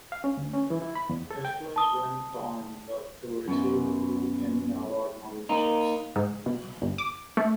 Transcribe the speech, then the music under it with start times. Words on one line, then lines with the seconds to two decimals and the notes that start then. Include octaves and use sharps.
"Restless" went on to receive two Emmy Award nominations.
0.12 F5
0.24 C#4
0.37 D2
0.53 C#4
0.70 E3
0.82 E4
0.95 B5
1.09 E2
1.31 A4
1.45 G5
1.76 A5 D#6
3.48 F#2 B2
5.49 A#3 D#4
6.16 G#2
6.46 B2
6.82 G1
6.98 D6
7.37 A3